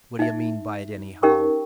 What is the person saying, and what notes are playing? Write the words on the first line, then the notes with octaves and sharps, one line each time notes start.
What d'you mean by it, anyhow?
D#4 E5
C#4 D#4 G4 A#4 G5 C#6